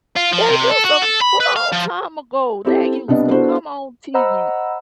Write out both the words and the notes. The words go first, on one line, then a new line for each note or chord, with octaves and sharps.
They use to a long time ago, they used to come on TV,
F4
F3
C3
A4
F#4
A4
B5
B4
F5
F3
C4 E4 G4 A4
C2 B3 D4 D#5
B3 D4 E4 F#4 A4 C5
C5 D#5 F#5 A#5 B5 E6